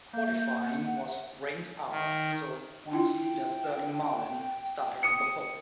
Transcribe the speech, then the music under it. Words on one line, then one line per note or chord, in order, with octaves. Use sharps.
Qualifying was rained out, so points leader Sterling Marlin started on the pole.
A#3 G6
F#5
D#3
D4 E4 F4 G5
D#6 C#7